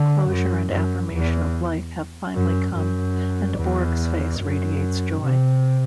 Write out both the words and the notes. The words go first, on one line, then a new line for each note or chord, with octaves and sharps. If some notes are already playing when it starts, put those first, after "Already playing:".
Closure and affirmation of life have finally come, and Borg's face radiates joy.
Already playing: D3
F#2
F#2
E2
F#2
F#2
E2
F#2
C3